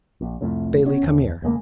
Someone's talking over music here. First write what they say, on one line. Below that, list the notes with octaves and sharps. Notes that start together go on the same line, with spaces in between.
Bailey, come here.
A#1
C2 F2 A2
B2 C#4
D#2
E1 C#2 G#3 A#3